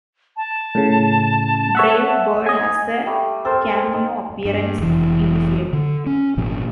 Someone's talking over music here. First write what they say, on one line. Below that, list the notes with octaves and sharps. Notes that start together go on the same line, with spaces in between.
Brave Bird has a cameo appearance in the film.
A5
A2 C#3
C#5 E5 F#5
D#5 G#5
G3 A3
C4 A4 A#4 C5
D#4
G2
F1 E3
D3
C#4
G#1 A#2 F3